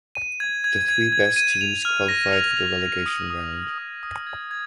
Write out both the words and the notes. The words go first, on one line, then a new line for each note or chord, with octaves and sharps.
The three best teams qualified for the relegation round.
D#7
G#6
G#6
G#6
G#6
D#7
F7
F6
A#6
F7
F7
A#6
D#6
D#6
F7
D#6
D#6
G#6
G#6